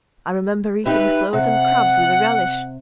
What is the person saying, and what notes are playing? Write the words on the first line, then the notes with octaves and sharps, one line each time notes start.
I remember eating sloes and crabs with a relish.
D#4 G4 B4 E5
C3 F#5